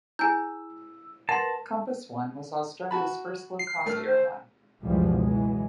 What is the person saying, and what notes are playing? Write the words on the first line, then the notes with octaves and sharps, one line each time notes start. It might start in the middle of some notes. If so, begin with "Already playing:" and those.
Compass I was Australia's first low cost airline.
E4 G#4 G#5 E6 G6
A#4 B4 F#5 A5 C6
F#4 A5 B5
C7
A3 A#4 F6
C5
F#1 C#2 B2 E3 F3 G3
E3 F#3 G#3